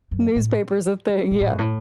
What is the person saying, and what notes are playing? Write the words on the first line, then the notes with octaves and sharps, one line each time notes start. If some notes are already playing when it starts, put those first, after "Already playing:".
Newspaper's a thing. Yeah.
F#2
A2
B2
A2
F#2
A2